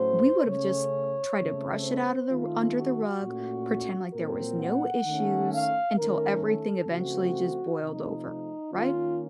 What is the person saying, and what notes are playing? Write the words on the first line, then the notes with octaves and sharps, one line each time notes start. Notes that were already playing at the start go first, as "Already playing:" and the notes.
we would've just tried to brush it out of the r under the rug, pretend like there was no issues, until everything eventually just boiled over," right?
Already playing: A2 F#3 A3 C#4 C5
C#3 A3 C#4 C#5
C#3 A3 C4
C5
D#3 A3 C4 F4
F#4
A#2 A3 C#4
A#2 F#3 C4 A#4
F#5
D#3 A3 C#4
F5
D#3 A3 C#4 A#4
A4
C#3 F3 A3 C4 F#4
C3 F3 A3 D#4
D#3 A#3 C#4 F4